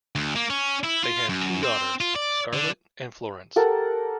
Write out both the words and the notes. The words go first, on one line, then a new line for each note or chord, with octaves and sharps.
They had two daughters-Scarlet and Florence.
D2
A#3
C#4
E4
F4
F#2
C4
F4
D5
D3
G4 A4 A#4 F#5